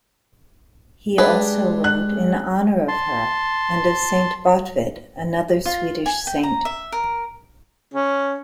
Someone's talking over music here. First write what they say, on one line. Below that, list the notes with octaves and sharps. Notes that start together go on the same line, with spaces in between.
He also wrote in honour of her and of Saint Botvid, another Swedish saint.
G3 G#3 D4 G#4 B4
F#6
A5 C6
F4
G#5
G5
A#5
E5
A#4
C#4